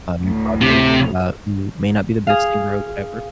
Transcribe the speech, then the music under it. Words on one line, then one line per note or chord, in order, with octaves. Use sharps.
uh, your brother, uh, who may not be the best singer or whatever,
D2 A2
C3
G#4 F5